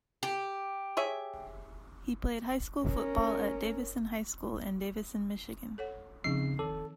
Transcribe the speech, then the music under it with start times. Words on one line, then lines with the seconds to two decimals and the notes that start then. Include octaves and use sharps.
He played high school football at Davison High School in Davison, Michigan.
0.23 G4
0.97 G#4 C#5 E5
2.82 C#4 A#4
5.78 A4 C#5 F#5
6.24 C#3 F3 C4 D#4 C7
6.59 D#3 A4